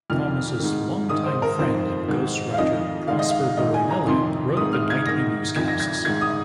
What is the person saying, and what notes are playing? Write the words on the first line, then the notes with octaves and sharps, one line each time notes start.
Thomas' long-time friend and ghostwriter Prosper Buranelli wrote the nightly newscasts.
F2 C3 D#3 F6
G#2 D#3
G#2 D#3 D#6
C5
A#4
F2 D#3 C5
G#2 D#3
F5
F2 D#3 D#5
G#2 D#3 F5
D#5
F5
G#2 D#3 D#5
G#5
A#5
F2 C3 D#3 C6
G#2 D#3 D#6
F6
G#6
G#2 D#3 A#6
F2 D#3 G#6
A#6
G#6
G#2 D#3 G#6
D#6